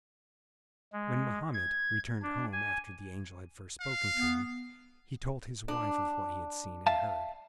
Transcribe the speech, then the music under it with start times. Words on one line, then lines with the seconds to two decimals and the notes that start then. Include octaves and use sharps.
When Mohammed returned home after the angel had first spoken to him, he told his wife of what he had seen and heard.
0.93 G#3
1.54 G#6
2.22 D4
2.53 G#5
3.81 F5
4.14 B3
5.68 D4
6.87 E5 F5 A5